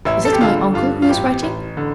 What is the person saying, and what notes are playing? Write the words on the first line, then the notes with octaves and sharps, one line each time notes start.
"Is it my uncle who is writing?"
A1 E4
A4
G4
D3 F4
G2 F4
F4
A1 G4
A1
D3